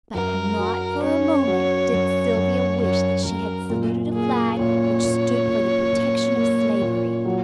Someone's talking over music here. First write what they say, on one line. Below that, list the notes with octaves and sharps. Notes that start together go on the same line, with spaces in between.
But not for a moment did Sylvia wish that she had saluted a flag which stood for the protection of slavery.
F#2 A#4
F#3
C#4 C#5
F#3
F#2
F#2
F#2 C#5
F#2 A#4
A#2
A#3 G#4
A#2 C#5
A#2
A#2
A#2
A#3
A#2
F#3